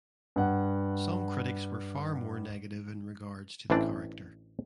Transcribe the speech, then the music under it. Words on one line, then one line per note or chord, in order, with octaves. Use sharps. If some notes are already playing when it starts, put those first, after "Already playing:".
Some critics were far more negative in regards to the character.
G2 F#5
A1 E3 C4 D4 D5